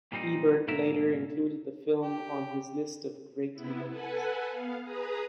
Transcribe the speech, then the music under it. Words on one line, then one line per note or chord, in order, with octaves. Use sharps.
Ebert later included the film on his list of "Great Movies".
A#2 G3 C4 D#4
G#2 B2 A#3 A#4 E5
G4
C3 B3 E4
A4 B4 F#5 G#5
B3 F5
G#4 B4 A#5 D#6